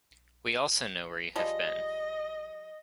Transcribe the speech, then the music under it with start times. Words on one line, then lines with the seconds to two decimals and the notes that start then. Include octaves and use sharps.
We also know where you have been.
1.36 F3 G3 G#3 D#5